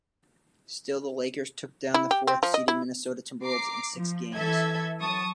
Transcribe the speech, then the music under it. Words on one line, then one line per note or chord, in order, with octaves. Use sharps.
Still, the Lakers took down the fourth-seeded Minnesota Timberwolves in six games.
E4
G4
C4
F3
D#5
E4
A#5 D6 C7
F3
E3 A4 E5 G#6
F#3 A5 C#6 D#6